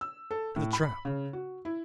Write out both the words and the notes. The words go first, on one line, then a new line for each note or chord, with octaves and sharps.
"To the trap!"
E6
A4
A2
B5
C#3
F#4
E4